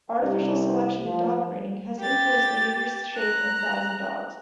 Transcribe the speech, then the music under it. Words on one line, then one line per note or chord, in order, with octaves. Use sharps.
Artificial selection in dog breeding has influenced behavior, shape, and size of dogs.
C2 C3
F3
G4 A6
A#5 F#6